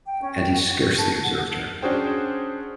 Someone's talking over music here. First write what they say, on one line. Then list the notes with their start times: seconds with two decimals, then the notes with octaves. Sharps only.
And he scarcely observed her.
0.06 G5
0.22 C#4
0.38 G5
0.54 F#5
0.74 C#6
0.97 A5
1.23 F#5
1.82 C#4 D4 F#4 G#4 C5 G5